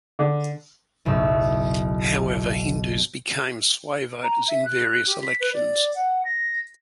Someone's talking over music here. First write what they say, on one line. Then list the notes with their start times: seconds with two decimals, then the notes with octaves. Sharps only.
However, Hindus became sway voters in various elections.
0.19 D3
1.05 F#1 B1 A2 C#6 E6
4.23 A#5
4.48 E5
4.65 F#6
5.06 G4
5.21 B6
5.40 B4
5.53 D5
5.95 F#5
6.25 A#6